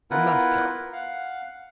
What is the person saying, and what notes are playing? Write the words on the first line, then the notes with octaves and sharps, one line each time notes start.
I must tell you.
B3 E4 F4 A#4 B4 F#5
F5 F#5